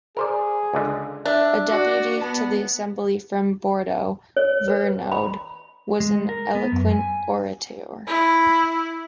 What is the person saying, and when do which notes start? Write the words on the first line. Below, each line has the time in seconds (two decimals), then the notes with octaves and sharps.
A deputy to the Assembly from Bordeaux, Vergniaud was an eloquent orator.
0.17 G#4 A#4 C5 D5
0.73 C#2 D3
1.25 D4 E5
1.68 F#4 D5
2.21 B3 A5
4.37 C#5
4.68 B4
5.12 B5
6.00 G#3
6.29 A#4
6.55 B3
6.72 F#2
6.91 G#5
8.07 E4